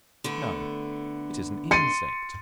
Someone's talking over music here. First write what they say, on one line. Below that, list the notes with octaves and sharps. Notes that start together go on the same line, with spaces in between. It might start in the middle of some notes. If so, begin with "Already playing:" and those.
No, it is an insect.
D3 A3 B3
C6 A6 C#7 D#7